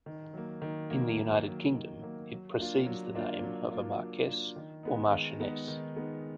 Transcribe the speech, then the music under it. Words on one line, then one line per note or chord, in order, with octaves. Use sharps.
In the United Kingdom, it precedes the name of a marquess or marchioness.
D#3
F#3 A#3
D#3
F#3 A#3
D#3
F#3 A#3
D#3
F#3 A#3
F#3
A#3 D4 F4
F#3
A#3 D4 F4
F#3
A#3 D4 F4
F#3
A#3 D4 F4
D#3
G#3 B3 D#4
D#3
G#3 B3 D#4
D#3
G#3 B3 D#4